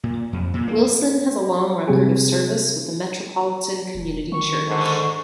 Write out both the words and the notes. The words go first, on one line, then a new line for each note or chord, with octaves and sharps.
Wilson has a long record of service with the Metropolitan Community Church.
A#2
F2
A#2
A#3
C3 F#3 G3 C4 G4 G#4
E1
D#3 C#6
G#2 D3